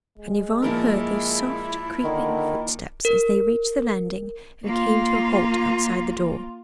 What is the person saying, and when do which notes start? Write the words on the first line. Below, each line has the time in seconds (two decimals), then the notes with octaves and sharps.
And Yvonne heard those soft, creeping footsteps as they reached the landing and came to a halt outside the door.
0.18 G#3
0.62 A#2 F3 E4 A#4
2.04 D3 D#3
3.05 A#4
4.64 A#3 F4